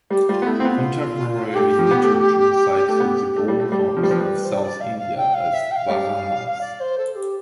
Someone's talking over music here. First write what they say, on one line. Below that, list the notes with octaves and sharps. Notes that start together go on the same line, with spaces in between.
Contemporary literature cites the gold coins of south India as Varahas.
G3 G4
G3 F4
B3
A3 E4
C4
B3 F4
A3 G4
F3
B3
A3
A3
B3
A3
G3
A3
F4
G3 G4
F3
G3
F3 B4 C5
G3
C5
D5
F5
F5
G5
F5
E5
G5
F5
G3
D5
C5
A4
G4